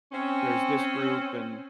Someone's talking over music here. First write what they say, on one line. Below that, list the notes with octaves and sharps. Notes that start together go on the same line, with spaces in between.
"There's this group and"
C4 C#4